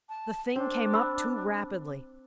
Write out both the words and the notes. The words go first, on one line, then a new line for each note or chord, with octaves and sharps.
The thing came up too rapidly.
A5
C4 D4
B5 E6